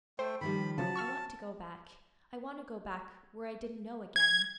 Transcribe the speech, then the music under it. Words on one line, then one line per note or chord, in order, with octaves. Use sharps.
"I want to go back--I want to go back, where I didn't know--again."
A3 C5 G5
D#3 F3 G3 B5
C#3 F3 F#3 F#4 A5
C#6 E6 F6
G#6